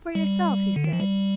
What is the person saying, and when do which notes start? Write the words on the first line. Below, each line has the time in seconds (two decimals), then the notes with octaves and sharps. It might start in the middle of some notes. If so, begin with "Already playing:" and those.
'For yourself,' he said.
0.15 G3
0.76 D3
0.84 D#3
0.93 F3
1.00 G3